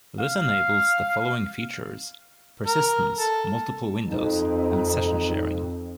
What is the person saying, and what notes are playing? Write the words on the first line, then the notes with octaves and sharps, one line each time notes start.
This enables the following features: persistence, multiple windows, and session sharing.
F5
A#4
A4
F2 D#4